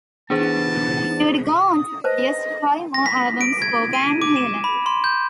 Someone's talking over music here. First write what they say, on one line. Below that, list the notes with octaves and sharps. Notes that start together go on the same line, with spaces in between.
He would go on to produce five more albums for Van Halen.
E3 B3 D4 G#4 C5 A5
D#6
B4 C5 D#5 A5
A#6
B6
D7
G#6
D#7
D6
E7
B5
C6
G6